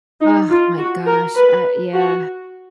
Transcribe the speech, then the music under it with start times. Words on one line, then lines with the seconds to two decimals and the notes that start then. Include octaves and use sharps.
Ugh, my gosh, uh, yeah.
0.20 D#4
0.50 F4
0.78 F#4
1.06 A#4
1.35 B4
1.94 F#4